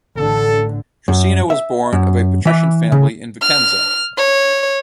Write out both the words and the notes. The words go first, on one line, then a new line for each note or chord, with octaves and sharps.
Trissino was born of a patrician family in Vicenza.
A1 D3 A4
F#2
E5
F#2
E3 E5
C#3
F6
C#5